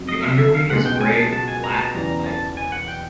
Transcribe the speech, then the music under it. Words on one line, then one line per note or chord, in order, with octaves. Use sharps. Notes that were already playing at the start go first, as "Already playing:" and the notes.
The underwing is grey with black flight feathers.
Already playing: F2 C#3 F#3
D#5
E5
E5
F5
C#2 B2 G#3 F#5
G5
G5
G#5
A5
A5
G#5
A#5
A5
E2 C#3 E3 G3 A#5
A5
G#5
F#5
G5